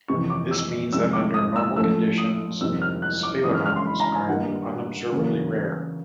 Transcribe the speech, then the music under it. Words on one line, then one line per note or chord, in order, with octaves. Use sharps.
This means that under normal conditions sphalerons are unobservably rare.
F2 C3 E3 C#6
D6
E6
F2 C3 D#3 G#3 E6
D6
D#6
E6
A2 F3 A3 C#4 E6
D#6
F2 C3 D#3 G3 C4 E6
F6
F#6
D6
F#2 C#3 E3 G#3 D#6
F6
F6
C6
B5
A#5
G#5
G2 D#3 G3 A#3 D#4 F#5
E2 C#3 F#3 A#3 C#4